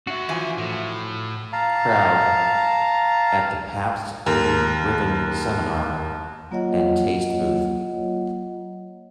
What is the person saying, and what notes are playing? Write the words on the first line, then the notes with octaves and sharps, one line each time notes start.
Crowd at the Pabst Blue Ribbon seminar and taste booth.
D4 F#4 E5
E3 F3 G#5
A2
F5 A5 A#5
D#2 A#4
F#3 A#3 F4 C#5 D#5 F#5